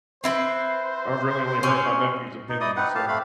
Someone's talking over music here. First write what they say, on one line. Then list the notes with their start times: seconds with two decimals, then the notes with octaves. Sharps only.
I I've really only heard my nephew's opinion, so
0.24 C4 E4 B4 C5
1.63 C4 C#4
2.49 D#4
2.61 E4 D5 D#5 D#6
2.76 C4 D#4 B4 F#5
2.95 G4 F5 A5
3.08 A3 C4 F5 B5